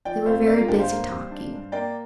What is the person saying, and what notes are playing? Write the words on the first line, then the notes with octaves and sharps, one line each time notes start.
They were very busy talking.
F3 D5 G5
F2 C5 F5
A#3 A#4 D5
F4 A#4
G1 D4 G4
C5 F5
A#3
G3
D4
G2
A#3 D5 G5